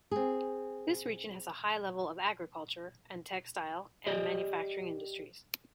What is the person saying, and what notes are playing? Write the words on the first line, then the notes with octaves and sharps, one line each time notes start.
This region has a high level of agriculture and, textile and manufacturing industries.
C4 G#4
G4 D5 D#5